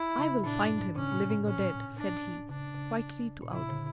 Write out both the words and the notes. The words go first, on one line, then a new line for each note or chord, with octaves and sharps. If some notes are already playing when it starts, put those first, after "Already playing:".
"I will find him, living or dead," said he quietly to Aouda.
Already playing: E4
C#3
A#2 D4
G2
A2
C#3 C#4
A#2
A2
A#2 C#4
D4
C#3 D4
C#3
A#2
C#3 E4
A#2 D3